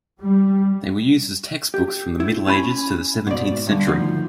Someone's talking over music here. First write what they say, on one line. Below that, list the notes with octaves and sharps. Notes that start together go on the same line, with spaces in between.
They were used as textbooks from the Middle Ages to the seventeenth century.
G3
G4
E4
C#4 G#5 B5
G#2 B2 D5
G2 D3
D2 D#3 F3